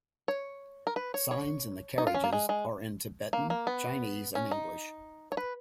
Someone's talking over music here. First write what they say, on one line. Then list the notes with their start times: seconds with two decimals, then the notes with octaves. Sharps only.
Signs in the carriages are in Tibetan, Chinese, and English.
0.28 C#5
0.87 A#4
0.96 B4
1.14 C#5
1.31 C#5
1.98 D#4
2.07 F4
2.14 C#4
2.24 A#3
2.33 G#3
2.49 G#3
3.33 A#3
3.50 A#3
3.67 B3
4.35 C#4
4.51 D#4
5.32 C#5
5.37 B4